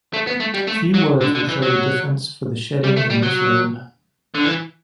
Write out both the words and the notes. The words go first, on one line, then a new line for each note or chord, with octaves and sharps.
A few words will show the difference for the shedding in this loom.
A3
B3
A3
G3
A3
F#3
D3
D3
E3
F#3
G3
A3
G3
F#3
D3
E3